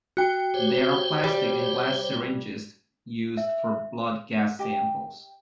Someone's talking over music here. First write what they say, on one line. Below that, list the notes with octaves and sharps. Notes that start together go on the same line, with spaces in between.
There are plastic and glass syringes used for blood gas samples.
F#4 G5
G4 C5 C#5
G3
E5
G4 D#5 G5